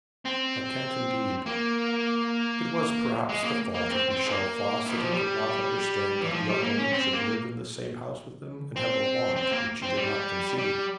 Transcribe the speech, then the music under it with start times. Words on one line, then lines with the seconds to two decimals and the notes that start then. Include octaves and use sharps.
I can't indeed.' It was perhaps the fault of Michel Voss that he could not understand that a young woman should live in the same house with him, and have a want which he did not conceive.
0.25 C4
1.46 A#3
3.29 G#3
3.44 A#3
3.74 A#3
3.90 C4
4.10 C4
4.25 G#3
4.30 A#3
4.86 E3
4.98 F3
5.12 G3
6.21 E3
6.32 F3
6.48 G3
6.63 A#3
6.79 C#4
6.93 C4
7.14 A#3
8.76 C4
9.36 C4
9.51 A#3
9.82 C4
9.97 G3
10.58 G3